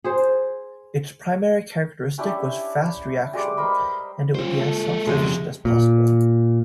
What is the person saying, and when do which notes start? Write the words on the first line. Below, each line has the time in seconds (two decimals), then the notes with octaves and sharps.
Its primary characteristic was fast reaction, and it would be as self-sufficient as possible.
0.04 G#4 C5
2.18 C#4 D4 E4 G4
3.33 G3 G#3 D6
3.57 A#4 C5 D#5 B5
4.35 G3 C#4 F4 C5
4.59 G#3 A4
5.07 F2 C#3 G#3 G4 G#4 E5
5.65 A#2